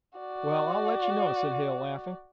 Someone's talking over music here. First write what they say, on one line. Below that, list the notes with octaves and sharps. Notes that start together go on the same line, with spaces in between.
"Well, I'll let you know," said Hale laughing.
F#4 D5